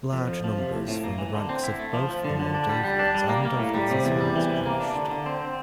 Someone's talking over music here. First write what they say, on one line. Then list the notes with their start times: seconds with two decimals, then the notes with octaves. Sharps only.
Large numbers from the ranks of both the Moldavians and of the Tatars perished.
0.13 F2
0.28 F3
0.44 F3
0.58 C3
0.74 A2
0.88 A2
1.04 A#3
1.18 E3
1.35 D3
1.49 C4
1.64 E4
1.80 A3
1.94 F3
2.09 F3
2.24 D3
2.39 D3
2.54 D4
2.69 G3
2.84 G3
2.99 D4
3.15 G3
3.29 A#3
3.45 A#3
3.59 A2
3.74 G3
3.91 C3
4.05 E2
4.21 G3
4.36 E3
4.50 C3
4.66 A#3
4.80 D4
4.95 D3
5.10 D3
5.26 C4
5.41 C4